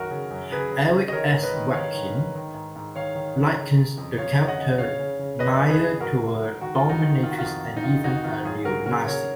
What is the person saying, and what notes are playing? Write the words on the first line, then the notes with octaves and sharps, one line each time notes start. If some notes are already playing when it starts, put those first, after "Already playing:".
Eric S. Rabkin likens the character Nyah to a dominatrix and even a neo-nazi.
Already playing: F#2 D#3 F#4 A#4
C#3
F#2
C#3 G#4 B4
C#3
C#3
D#5
D#3 A#4 C#5
G#2
B4 D#5
D#3
D#3 C#5 F5
D#3
G#2
D#3
G#2
G#2
D#3 C#5 F5
D#3
D#3
C#3
C#3
F2
F2 C#5 F5
C#3
D#5 F#5
C#3
C#3 C#5 F5
C#3
C#3
F2 B4 D#5
F2
G#4 B4
C#3
G#2 F#4 A#4
G#2
G#2
D#3 F#4
F4
G#2
D#4 F#4
D#3
D#3 F4
F#4
F4
F2
D#3
D#4
D#3 F4
F2 D#4 F#4
D#3 F4
F#2 F4 G#4
C#3 F#4 A#4
C#3 F#4 A#4
C#3 A#4 C#5